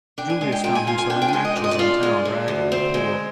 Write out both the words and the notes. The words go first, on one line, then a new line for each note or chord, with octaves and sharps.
Julius found him selling matches in town, ragged and poor.
D4 G5
G#5
G#3 G#5
G5
A#2 G5
G#5
F4 G#5
G#5
D4 G5
G5
G#5
G#3 G5
D#5
A#2 D5
D#5
D5
F4
G#3
D3
D2
C4
G#3